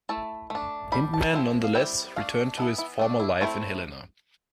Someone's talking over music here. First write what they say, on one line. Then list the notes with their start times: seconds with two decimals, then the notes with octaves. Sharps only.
Hindman, nonetheless, returned to his former life in Helena.
0.09 A3 E4 A5
0.50 A3 D4
0.92 G3 D4 B5
1.14 A5
1.33 F3 C4 E4
1.64 F5
1.75 G3 C4 E4 G5
2.16 A3 D4 F5
2.58 E3 B3 E4 A4
2.78 E4
2.99 A3 D4
3.20 E4
3.41 A3 C4 E4 F4